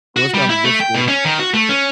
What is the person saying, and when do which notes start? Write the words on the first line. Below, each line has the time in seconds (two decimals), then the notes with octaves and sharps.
so it's, kinda, difficult,
0.16 F#4
0.34 G3
0.49 E4
0.65 A3
0.80 G5
0.94 B2
1.08 C#4
1.25 D#3
1.39 F#4
1.54 A3
1.69 C#4